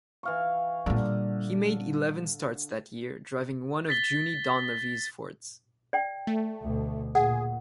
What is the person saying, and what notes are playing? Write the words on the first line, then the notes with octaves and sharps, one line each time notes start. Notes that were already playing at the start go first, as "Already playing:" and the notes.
He made eleven starts that year driving one of Junie Donlavey's Fords.
E3 F5 C#6
A#2 D3 G3
A6 B6 G7
D5 G5
A3
D2 B2
A#2 G#4 F#5